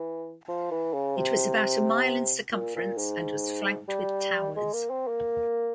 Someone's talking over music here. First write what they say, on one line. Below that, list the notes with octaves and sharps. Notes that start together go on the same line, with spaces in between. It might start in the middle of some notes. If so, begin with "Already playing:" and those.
It was about a mile in circumference and was flanked with towers.
Already playing: E3
F3
E3
C#3
C3
A#2
A#2
G#2
G3
G#3
A#3
C4
A#3